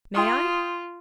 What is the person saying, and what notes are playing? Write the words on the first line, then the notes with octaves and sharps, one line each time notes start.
"May I?"
F4 G5 C6 D#6